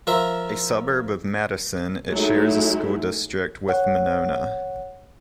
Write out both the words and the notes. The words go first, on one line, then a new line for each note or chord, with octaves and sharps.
A suburb of Madison, it shares a school district with Monona.
F3 A#4 E5
F#3 G#3 A3 D#4 E4
C#5 F#5